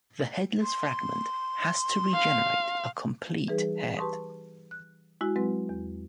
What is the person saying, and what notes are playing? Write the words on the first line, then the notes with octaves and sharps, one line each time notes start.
The headless fragment has to regenerate a complete head.
C6
F5
E3 G3 D#4 G#4 B4
G4 B4 A5 C6 C#6 D#6
F#6
G#3 E4 F#4
F#3 G#3 C4 B4
E2